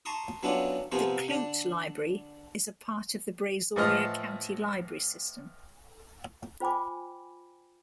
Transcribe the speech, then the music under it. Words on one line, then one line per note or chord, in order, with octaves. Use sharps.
The Clute Library is a part of the Brazoria County Library System.
A5 A#5 C6 C#6 D#6
F#3 B3 C#4 D4 E4 F4
C3 F3 B3 C4 G#4 A#4
D3 D4
A2 E3 F3 D#5 F6
F4 C5 G5 G#5 B5 D6